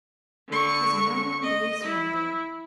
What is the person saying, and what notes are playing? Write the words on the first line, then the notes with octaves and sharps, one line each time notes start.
It was a nine days' wonder.
D3 C#6
D#5
E4